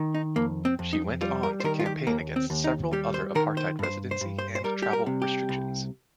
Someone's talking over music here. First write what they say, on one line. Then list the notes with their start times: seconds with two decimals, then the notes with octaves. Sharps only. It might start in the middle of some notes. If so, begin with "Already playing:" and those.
She went on to campaign against several other apartheid residency and travel restrictions.
Already playing: D#3
0.15 D#4
0.36 F2 A#3
0.65 C4
0.79 F2
0.93 D#4
1.21 G3 F4
1.43 A#4
1.60 C5
1.64 D#3 A#4
1.80 F4
1.86 G4
2.07 D#2 A#3
2.36 C4
2.50 D#2
2.64 D#4
2.93 G3 G4
3.14 C5
3.35 D#3 A#4
3.57 C5
3.79 G2 C5
4.11 C5
4.21 G2
4.39 C5
4.55 C5
4.64 G3 A#4
4.82 G4
4.93 A#4
5.06 C3
5.22 G4
5.49 C2